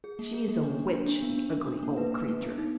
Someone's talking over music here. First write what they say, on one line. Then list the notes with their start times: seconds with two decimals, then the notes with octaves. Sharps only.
She is a witch, the ugly old creature!
0.04 G#4
0.19 A#3
0.34 G#4
0.48 A#3
0.63 D4
0.79 D4
0.93 D4
1.08 D4
1.23 B3
1.38 D4
1.52 D4
1.68 D4
1.83 A#3
1.97 B4
2.12 B4
2.28 A#3
2.42 B3
2.57 D#4